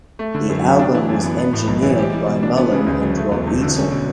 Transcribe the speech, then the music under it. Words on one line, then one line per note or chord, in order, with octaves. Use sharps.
The album was engineered by Mullen and Rob Eaton.
A3
D3
F#2
F#3
D4
E3
F#2
B3
B3
A2
B1
E3
G4
G3
B2
D4
B3
C#3
D2
F#3
A3
E2
E1
D3
C#4
B2